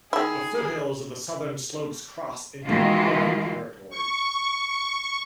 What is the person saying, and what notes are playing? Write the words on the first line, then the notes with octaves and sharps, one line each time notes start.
The foothills of the southern slopes cross into Mongolian territory.
D#3 E4 G#4
D#3 E3 G#3 F4 F#4 F5
C#6